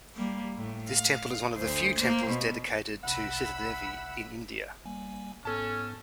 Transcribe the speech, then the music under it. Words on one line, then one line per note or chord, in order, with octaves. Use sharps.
This temple is one of the few temples dedicated to Sitadevi in India.
G3 A#3
A2
F5
D2 C5
A#3 C5
B2
C2 F#5 B5 E6
G3 A#3 G#5
G#2 B3 C#4 A4 A5